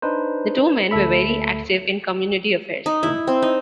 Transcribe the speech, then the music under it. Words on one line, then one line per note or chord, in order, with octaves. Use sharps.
The two men were very active in community affairs.
D4 D#4 B4 C5
D2 A3 A4 E5 B5
D#4
E4
C4
D#4